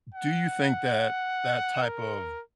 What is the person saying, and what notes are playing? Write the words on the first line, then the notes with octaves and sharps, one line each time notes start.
do you think that that type of
F#5
A#4